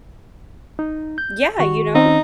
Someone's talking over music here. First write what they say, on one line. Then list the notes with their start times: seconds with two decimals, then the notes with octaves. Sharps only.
Yeah, you know?
0.79 D#4
1.18 G6
1.59 D#3 F#4 C#6
1.94 D#3 C4 C#4 D#4